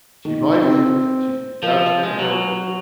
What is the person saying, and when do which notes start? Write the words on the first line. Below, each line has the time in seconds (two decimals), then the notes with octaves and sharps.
She might be she yeah, she might be able to.
0.25 D#3
0.62 C4
1.63 F3
2.03 G#3
2.19 F#3